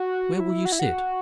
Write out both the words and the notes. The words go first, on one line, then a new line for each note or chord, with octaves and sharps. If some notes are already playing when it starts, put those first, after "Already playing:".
Where will you sit?
Already playing: F#4
E4
F#4
E4
F#4